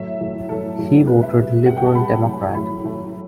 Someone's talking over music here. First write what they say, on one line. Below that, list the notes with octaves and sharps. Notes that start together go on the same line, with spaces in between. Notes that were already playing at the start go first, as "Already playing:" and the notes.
He voted Liberal Democrat.
Already playing: A2 F#3 A3 E5
A2 F#3 A3
A2 F#3 A3 A4
A2 F#3 A3
C3 G3 B4
E5
C3 G3
C3 G3 F#5
G5
A5
C3 G3 B5
A2 F#3 A3
A2 F#3 A3 B5
A2 F#3 A3